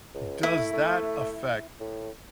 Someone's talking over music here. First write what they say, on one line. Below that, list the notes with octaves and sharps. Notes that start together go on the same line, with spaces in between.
Does that affect
C#2
A3 E4
A3
A2